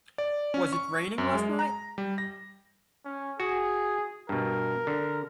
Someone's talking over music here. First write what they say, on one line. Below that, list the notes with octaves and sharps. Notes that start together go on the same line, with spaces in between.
Was it raining last night?
D5
C#4
C#6
F#2
G#3
A#5
G3
A#6
C#4
F#4 G#4
G2 B2 A#4
D3